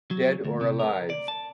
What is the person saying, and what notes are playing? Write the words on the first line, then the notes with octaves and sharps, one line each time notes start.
Dead or alive.
F#3
D2
C3
A#4
D5
A5